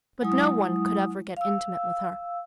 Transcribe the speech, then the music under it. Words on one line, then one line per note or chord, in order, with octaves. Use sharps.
But no one could ever get intimate with her.
F#3 G#3 E4 D#6
F5 E6